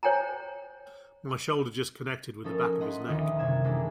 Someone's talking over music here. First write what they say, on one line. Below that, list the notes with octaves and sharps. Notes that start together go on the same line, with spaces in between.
My shoulder just connected with the back of his neck.
C5 C#5 G5 G#5 A#5
F3 C#4 D#4 A4 A#4
D#5 F#5 B5 C6
D#1 D2 D#3 D#4 F4 D#5
F#1 C3 G3 A#3 G#6 E7
E3 G#3 A#3 D4 E4 A4